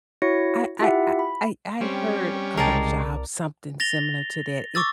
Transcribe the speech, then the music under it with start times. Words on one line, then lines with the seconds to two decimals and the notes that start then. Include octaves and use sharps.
I I I I I heard of a job something similar to that. It
0.22 E4 F#4 C#5 A#6 C#7
0.79 E4 F4 G4 E5 F#5
1.19 B5
1.81 G3 C4 C#4
2.57 C2 C#3 G#3 G4 A#4 D5 A5
3.80 A6 A#6 F7 G7
4.75 C#6 D6 E6 A6